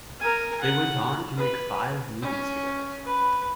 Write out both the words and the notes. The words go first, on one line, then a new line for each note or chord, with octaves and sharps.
They went on to make five movies together.
A#4 G#5
F#5
B4
C#4
B4